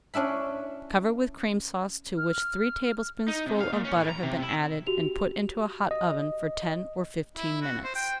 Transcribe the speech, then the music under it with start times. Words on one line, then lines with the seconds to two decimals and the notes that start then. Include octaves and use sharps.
Cover with Cream Sauce to which three tablespoonfuls of butter have been added, and put into a hot oven for ten or fifteen minutes.
0.14 C#4 D4 E4 B5
2.18 F6
3.28 D#4
3.46 C3
3.61 F5
3.73 A#2
3.85 C#4
3.97 A2
4.10 A#5
4.24 C3
4.43 E4
4.87 F#4 G4 F7
5.91 D#5
7.37 E4
7.62 F#4
7.84 C5
7.95 G5